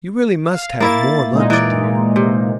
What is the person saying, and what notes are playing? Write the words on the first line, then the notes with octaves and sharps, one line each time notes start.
'You really must have more lunch, dear.
F5
A#3 E4 E5 A6
A#2 G#3 D#4
E3 D5
C3